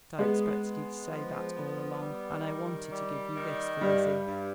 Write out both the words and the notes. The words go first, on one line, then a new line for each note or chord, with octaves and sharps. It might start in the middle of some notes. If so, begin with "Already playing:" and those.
"But I expected he'd say that all along, and I wanted to give you this for Lizzie."
G#3 B3
B3
F3
B3
G3
D#3
G3
D#3
G2 G3
G2